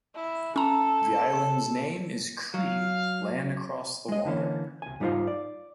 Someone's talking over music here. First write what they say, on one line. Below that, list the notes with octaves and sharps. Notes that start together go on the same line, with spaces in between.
The island's name is Cree "land across the water".
E4
C#4 A4 A#5
F#3 F5
G#3 D#5
D3 E3 A#3 C#4
C2 G#5
G#2 G3 D#4 F4 C5 F5
D5